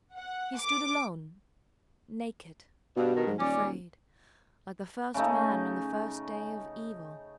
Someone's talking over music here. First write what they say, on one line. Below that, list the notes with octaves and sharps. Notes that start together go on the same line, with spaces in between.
He stood alone, naked and afraid, like the first man on the first day of evil.
F#5
D6
G2 B2
G2 D#3
G#2
D#1 C#4 D5
C#3 A3 D#4